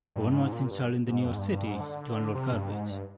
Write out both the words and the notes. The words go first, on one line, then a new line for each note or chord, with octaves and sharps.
One was installed in New York City to unload garbage.
G2
G#2
A#2
G2
G#2
F2
G#2
G2
G2
G#2
D3
C3
G2
G#2
G2